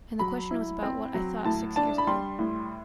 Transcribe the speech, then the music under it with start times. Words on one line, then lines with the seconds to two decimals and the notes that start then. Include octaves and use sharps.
And the question was about what I thought six years ago.
0.19 F#3 B5
0.51 E4
0.83 C4
1.14 F#3
1.45 A2 A5
1.76 D4 A5
1.98 B5
2.07 G3 C6
2.39 A2